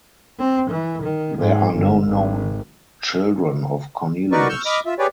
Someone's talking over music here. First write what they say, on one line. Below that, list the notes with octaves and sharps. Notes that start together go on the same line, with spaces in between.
There are no known children of Cornelius.
C4
E3
D#3
G#2
G1
G#1
D#4 F#4 A#4 B4 D5 C#6
C#6 E6 F6 G6
D#5 B5 D6 F6
F4 E5
G4 G#4 B4 C#5 D5